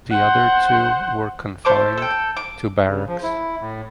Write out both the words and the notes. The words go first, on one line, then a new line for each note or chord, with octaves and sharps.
The other two were confined to barracks.
C5 F#5
A3 C5 A5 D6
A4 G5
D6
C#3
F3
E4
A2